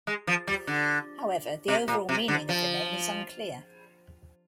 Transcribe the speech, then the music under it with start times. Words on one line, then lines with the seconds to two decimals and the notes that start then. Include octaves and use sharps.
However, the overall meaning of the name is unclear.
0.07 G#3
0.27 F3
0.47 G3
0.67 D3
1.68 C3
1.88 A#2
2.09 C3
2.28 D3
2.49 F3